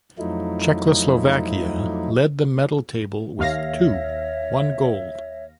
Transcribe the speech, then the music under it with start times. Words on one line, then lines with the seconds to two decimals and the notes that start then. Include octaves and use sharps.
Czechoslovakia led the medal table with two, one gold.
0.19 F2 F3 F#3 A3 D#4 E4
3.39 D#2 C#5 E5 F5 A#6